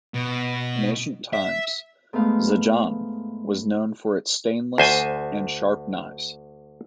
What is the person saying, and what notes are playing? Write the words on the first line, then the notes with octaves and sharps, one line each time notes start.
In ancient times, Zanjan was known for its stainless and sharp knives.
B2
E5
G#2 A3 B3 F5
D2 C5 G#5